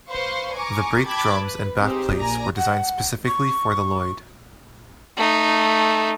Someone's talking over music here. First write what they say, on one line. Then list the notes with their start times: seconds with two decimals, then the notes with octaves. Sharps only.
The brake drums and back plates were designed specifically for the Loyd.
0.11 B4 C5 F5 C6 C#6
0.55 G#5 A#5 C#6 D6
1.07 G5 A5 B5 D6 G#6
1.41 B4
1.80 C4 D#4 G4 G#4 C5
2.16 A#1 D5 G#5 A#5
2.58 F#5
3.26 C#6
5.17 A3 D#4